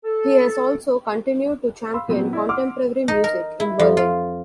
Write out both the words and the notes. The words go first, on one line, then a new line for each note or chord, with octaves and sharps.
He has also continued to champion contemporary music in Berlin.
A4
F5 B5 C6 E6
A#2 F#3 B3 C4
E4 D5 D#5
F#5 C6 D6 E6 F6
D#4
A#4
E4
F2
F4